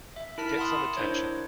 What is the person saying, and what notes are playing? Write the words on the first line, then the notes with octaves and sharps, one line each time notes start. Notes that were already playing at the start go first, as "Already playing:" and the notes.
Get some attention.
E5
E4 A#4 A5 F6 B6
E5 F#5 A5 B5 C6 D#6
D4 E4 A#4 C5 C#5